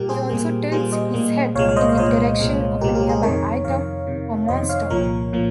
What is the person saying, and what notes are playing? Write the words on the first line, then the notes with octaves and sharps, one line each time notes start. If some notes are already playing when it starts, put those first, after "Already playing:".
He also tilts his head in the direction of a nearby item or monster.
Already playing: A#2 G3 A#3 G4 A#4
G#4 C5
A#2 G3 A#3
A#2 G3 A#3 G#4 C5
C5 D#5
A#2 G3 A#3
C2 A#2 G#3 C#5 F5
C#5
C5 D#5
F5
C2 A#2 G#3 C5 D#5
C2 A#2 G#3
C2 A#2 G#3 G4 A#4
G4 A#4
G#4 C5
F2 C3 D#3 A#4 C#5
F2 C3 D#3 C#5 F5
F2 C3 D#3
F2 C3 D#3 C5 D#5
C#5 F5
C2 A#2 F3 A#3 A#4 C#5
A#2 F3 A#3